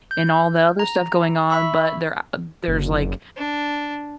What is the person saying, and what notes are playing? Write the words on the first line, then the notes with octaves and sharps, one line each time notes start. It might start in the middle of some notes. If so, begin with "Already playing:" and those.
and all the other stuff going on, but there uh, um, there's, like,
G6
A#5
E5 B5 C#6 E6
F#1
D4